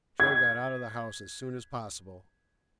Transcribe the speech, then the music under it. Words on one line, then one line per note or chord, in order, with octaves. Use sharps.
Joe got out of the house as soon as possible.
G#6